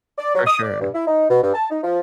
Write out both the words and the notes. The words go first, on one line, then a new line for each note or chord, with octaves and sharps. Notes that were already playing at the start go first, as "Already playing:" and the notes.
For sure.
D5
F#3
D#6
D5
G2
E4
D#4
B2
G2
A5
D#4
F3